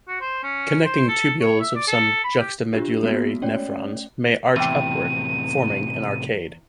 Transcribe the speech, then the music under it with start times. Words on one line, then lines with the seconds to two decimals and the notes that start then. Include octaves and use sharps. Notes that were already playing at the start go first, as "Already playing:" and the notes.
Connecting tubules of some juxtamedullary nephrons may arch upward, forming an arcade.
0.08 F#4
0.21 C5
0.43 C#4
0.85 C5
1.08 A4
1.41 C#5
1.60 E5
1.75 D5
1.87 A4
2.24 B5
2.39 G4
2.73 D4 F4 G4
3.03 G#3 A#3 B3 F#4
3.42 A3 C#4 C#5 D5 G5
4.56 E2 A2 C3 C4 E4 G5 D#7